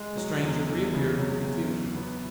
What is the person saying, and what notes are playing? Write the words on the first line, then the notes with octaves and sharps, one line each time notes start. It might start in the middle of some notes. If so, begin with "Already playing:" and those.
The stranger reappeared in the confusion.
Already playing: G#3
F#3
E2
E2
C#3
F#3
E2
F#3
B3